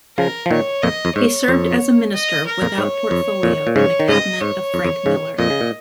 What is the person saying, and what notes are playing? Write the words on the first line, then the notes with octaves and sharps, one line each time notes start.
He served as a minister without portfolio in the cabinet of Frank Miller.
C#3 F3 A#4
F3
A#2 D#3 C#5
F2 A#2 D#5
F2
G#2 C#5
F2
D#5
A#4
F2 A#2
G#2 C#5
F2
F2 A#2
A#2
G#2 C#3 C#5
D#3
G#2 C#3 D#5
G#2 C#5
F2
F2
G#2 C#3
F2 A#2 D#5
C#3
A#2